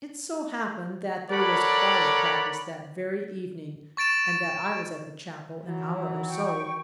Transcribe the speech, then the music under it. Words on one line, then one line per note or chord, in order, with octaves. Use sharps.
It so happened that there was choir practice that very evening, and that I was at the chapel an hour or so.
A4 A#4 C#5 D5 F#5 B5
C#6 A6 D7 E7
E3 F#3
G5 C#6